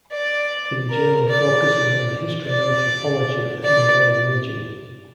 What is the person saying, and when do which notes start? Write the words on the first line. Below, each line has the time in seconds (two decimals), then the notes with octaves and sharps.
The journal focuses on the history and anthropology of the Himalayan region.
0.12 D5
0.90 A#4
1.29 D5
2.47 D5
3.64 D5